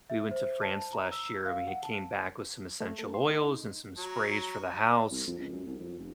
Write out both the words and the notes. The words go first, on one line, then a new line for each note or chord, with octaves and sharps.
we went to France last year and we had came back with some essential oils and some sprays for the house,
E5
C5
A5
A#5
E6
F5
F#5
A5
A3
A4
C6
D#4
F#3 A#5
C2
F2
C#2
F#2
C2
F2
F1